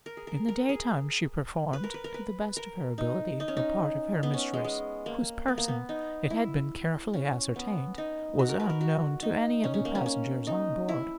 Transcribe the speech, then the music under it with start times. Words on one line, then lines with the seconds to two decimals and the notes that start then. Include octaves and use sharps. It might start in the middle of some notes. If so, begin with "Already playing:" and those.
In the daytime she performed, to the best of her ability, the part of her mistress--whose person, it had been carefully ascertained, was unknown to any of the passengers on board.
0.06 A#4
0.17 G#4
0.27 A#4
0.48 A#4
0.69 G#4
1.73 B4
1.84 A#4
1.94 B4
2.04 A#4
2.14 B4
2.57 A#4
2.98 D#4
3.40 D#4
3.48 C#4
3.57 D#4
4.23 B3
4.34 C#4
4.54 G#3
4.64 G#3
5.06 A#3
5.48 B3
5.58 A#3
5.68 B3
5.89 D#4
6.30 E4
7.14 C#4
7.56 B3
7.98 D#4
8.39 F#4
8.49 A#4
8.60 B4
8.70 A#4
8.81 F#4
9.22 D#4
9.64 C#4
9.74 C#4
9.85 A#3
9.95 C#4
10.06 C#4
10.47 D#4
10.89 E4